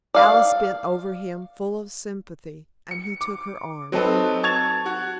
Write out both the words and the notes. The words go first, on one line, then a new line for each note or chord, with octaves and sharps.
Alice bent over him full of sympathy, and he took her arm.
D5 F5
C#7
D6
F#3 C4 D#4 A4 B4
A5 C#6 G#6 A6 F7
F#4